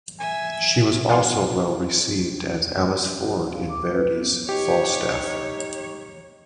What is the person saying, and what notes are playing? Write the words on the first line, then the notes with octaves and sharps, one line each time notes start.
She was also well received as Alice Ford in Verdi's "Falstaff".
E5 G#5
D5 F5 F#5 G#5 C6 D6
B3
F5
D6
B4
B3
D#4 G4 C#5